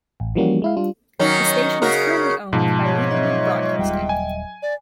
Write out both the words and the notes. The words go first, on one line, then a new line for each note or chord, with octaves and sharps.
The station is currently owned by Liberman Broadcasting.
A1
E3 F3 G3 A#3 C#4 F#4
G#3 E4 F5
G3 D4 F4
D#3 F#3 C#4
C#3 F#4 A#4
G#2 B2 F3 A5
C#5
F#3 D#5 E5
D#1 G#1 G3 G5
G#5
D5